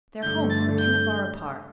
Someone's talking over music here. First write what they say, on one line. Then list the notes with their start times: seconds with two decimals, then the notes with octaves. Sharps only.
Their homes were too far apart.
0.22 G2 D3 A3 G6
0.50 A6
0.79 G6